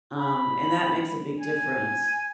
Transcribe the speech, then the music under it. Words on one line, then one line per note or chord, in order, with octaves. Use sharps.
um, and that makes a big difference,
B5
G#5